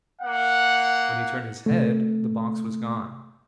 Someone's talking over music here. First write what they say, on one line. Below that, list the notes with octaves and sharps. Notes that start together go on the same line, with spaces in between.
When he turned his head, the box was gone.
A#3 F#5
C3 A3